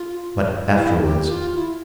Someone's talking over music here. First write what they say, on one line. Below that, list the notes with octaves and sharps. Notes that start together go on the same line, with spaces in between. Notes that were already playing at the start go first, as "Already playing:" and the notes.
But afterwards.
Already playing: F4
E4
G4
F4
E4